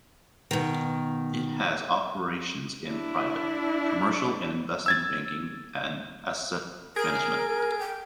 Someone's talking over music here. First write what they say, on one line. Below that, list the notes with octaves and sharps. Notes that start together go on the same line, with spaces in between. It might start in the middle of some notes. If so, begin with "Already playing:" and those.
It has operations in private, commercial and investment banking and asset management.
B2 D#3
D4 E4
E6 G#6 A6
G#4 A#4 D7
G5